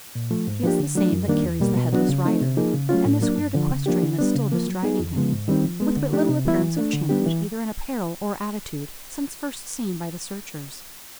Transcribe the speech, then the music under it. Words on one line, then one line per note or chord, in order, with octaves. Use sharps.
He is the same that carries the headless rider; and this weird equestrian is still bestriding him, with but little appearance of change, either in apparel or attitude, since first seen by the searchers.
A#2
F3 A3
G#2
F3 A#3 D4 G4
D3
F#3 A3 D4
F#2
D#3 G3 A#3 D4
E2
B2 G3 A#3
B2
F#3 B3 D4 F#4
C#3
F3 A3 C4 D#4
C3
F3 A#3 D#4 G#4
C#3
F#3 A3 C#4 F4
A2
F#3 A#3 D4
G2
D3 F3
C#3
F3 A#3 D4 G4
D3
G3 B3 D4
C#3
F3 A#3
F#3
B3 D#4 G#4
F2
C#3 F3 G#3 B3
G#2
D#3 G3 C4 D#4
F3
G#3 B3
D3
F3 A3 D4 G4
C3
E3 G3 B3 E4
E3
A3 D4
D3
G3 B3 D4 G4
E3